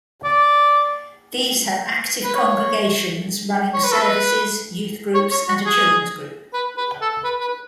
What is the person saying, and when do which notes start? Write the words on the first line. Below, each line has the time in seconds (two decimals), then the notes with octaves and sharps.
These have active congregations: running services, youth groups and a children's group.
0.24 D5
2.24 B4
2.35 C#5
3.74 C#5
3.84 B4
3.92 A4
4.01 B4
5.14 C#5
5.31 C#5
5.48 F#4
5.66 G#4
6.53 B4
6.77 B4
7.01 A4
7.24 B4
7.41 B4